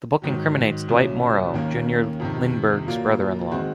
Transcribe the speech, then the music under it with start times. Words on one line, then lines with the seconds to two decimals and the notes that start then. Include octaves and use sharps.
The book incriminates Dwight Morrow, Junior Lindbergh's brother-in-law.
0.22 G#2 D#3 F#3
0.88 C2 A#2 F#3 C#4
1.54 D#2 D#3 A#3 C#4
2.20 F2 C3 D#3
2.87 A#2 F#3 A#3 F4
3.51 D#3 G#3 C4 F#4